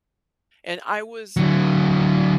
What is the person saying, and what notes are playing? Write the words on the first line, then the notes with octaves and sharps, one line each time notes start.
And I was
D3 F#3